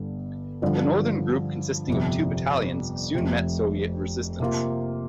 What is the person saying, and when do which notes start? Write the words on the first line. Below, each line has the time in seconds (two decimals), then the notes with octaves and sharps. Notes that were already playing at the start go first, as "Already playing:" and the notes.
The northern group consisting of two battalions soon met Soviet resistance.
Already playing: G1 G2 D3
0.62 G2 D3 F3
1.87 G1 F2 C3
3.14 F1 F2 C3
4.40 C3 A#3 F4